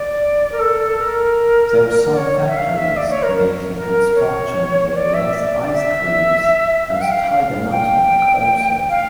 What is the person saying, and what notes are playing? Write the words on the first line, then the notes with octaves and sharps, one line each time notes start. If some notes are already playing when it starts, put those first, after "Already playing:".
There are some factories making construction materials, ice creams and tiger nut milk, also.
Already playing: D5
A#4
A4
A#4
D5
C#5
E5
F5
E5
D5
C#5
A#4
A#4
C#5
D5
E5
D5
E5
F5
G5
F5
F5
G5
F5